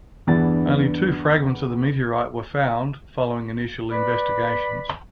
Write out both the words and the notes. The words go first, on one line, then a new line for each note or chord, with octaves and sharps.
Only two fragments of the meteorite were found following initial investigations.
E2 G2 E3 B3 D4 A6
B4 D5 B5